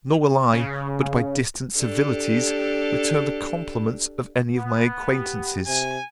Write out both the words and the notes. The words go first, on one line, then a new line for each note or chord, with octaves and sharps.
Nor will I, but by distant civilities, return the compliments of any of my acquaintances.
C#3
D4 G4 A4
B3
G4
C3 G#5